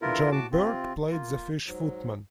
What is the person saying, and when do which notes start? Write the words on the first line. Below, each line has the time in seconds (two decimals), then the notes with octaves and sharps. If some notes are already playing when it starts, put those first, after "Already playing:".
John Bird played the Fish Footman.
0.02 E2 D3 B3 E4 F4 A#4
0.32 A2 F#4 A5 D6
0.52 C3 C4 F4
1.11 A#3 F4
1.67 G#2 F#3